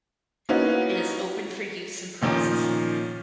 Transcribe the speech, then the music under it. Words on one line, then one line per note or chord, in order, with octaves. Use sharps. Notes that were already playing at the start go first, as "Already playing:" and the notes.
It is open for use and processing.
A#3 B3 C#4 D#4 E4 F#4
A#2 D#3 F3 C#4 D#4